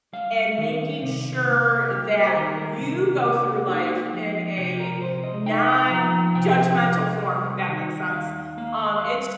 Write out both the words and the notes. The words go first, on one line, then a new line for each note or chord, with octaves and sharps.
and making sure that you go through life in a nonjudgmental form, if that makes sense. Um, it's
G3 F5
D#3
C3
A#3
G3 G4
G4
C5
D#3 A#4
A#4
C3
A#3
D#4 G4
F3
C3 G4
A#4
C3 C5
D#5
D#4 G5
F3 A#5
C3 G5
C3
G3
D#3
D#2 F5
A#3 F5
G3 F5